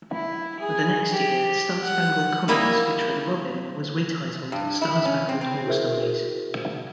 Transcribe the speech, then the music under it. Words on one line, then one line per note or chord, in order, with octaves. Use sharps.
The next year "Star Spangled Comics", featuring Robin, was retitled "Star Spangled War Stories".
E4
G#4
G4
F#5
G3 A#3 E4 D#5 E5
G2
E4
C#4
C4
C4
E4 F#4 G#4 A#4 C5 E5